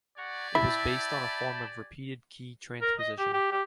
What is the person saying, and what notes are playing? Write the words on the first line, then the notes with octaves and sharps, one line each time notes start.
It was based on a form of repeated-key transposition.
G4 D5 F#5 G#5 A#5 C#6
E4 E5 G5 A5 B5
A#4
D#5
G4
G4
G4